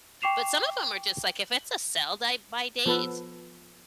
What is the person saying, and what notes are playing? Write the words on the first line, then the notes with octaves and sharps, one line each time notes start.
But some of em are just, like if it's a sell dy by date,
G5 C#6 D6 C7 E7 F7
F3 B3 A4 B4